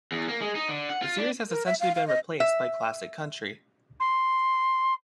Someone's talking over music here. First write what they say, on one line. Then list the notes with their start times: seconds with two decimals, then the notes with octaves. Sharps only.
The series has essentially been replaced by Classic Country.
0.12 E2
0.28 A#3
0.41 G#3
0.55 D#4
0.69 D3
0.90 F#5
1.02 F4
1.18 D4
1.50 A#4
1.66 E5
1.80 F5
1.95 F5
2.07 D#5
2.40 E5
4.00 C6